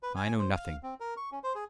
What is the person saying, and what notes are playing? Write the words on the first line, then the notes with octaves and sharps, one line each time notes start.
"I know nothing."
B4
G#5
C5
F5
C4
A#4
C#6
C#4
C5
G#4